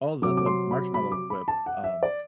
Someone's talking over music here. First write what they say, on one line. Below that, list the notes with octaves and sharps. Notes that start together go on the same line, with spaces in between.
Oh, the the marshmallow whip, um,
C3 F#3 D6
D6
C6
B5
B5
D6
B5
A5
F#5
E5
D5